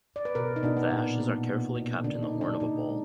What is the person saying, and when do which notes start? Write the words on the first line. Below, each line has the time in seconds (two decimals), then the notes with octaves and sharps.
The ashes are carefully kept in the horn of a bull.
0.16 D5
0.25 B4
0.35 B2 A#4
0.56 D#4
0.63 B2 D4
0.77 B3
0.91 A#2
1.20 A#3
1.47 B2
1.75 B2
2.04 D3 D4
2.23 D#4
2.33 D3
2.41 D4
2.60 A#2 D#4
2.89 G#3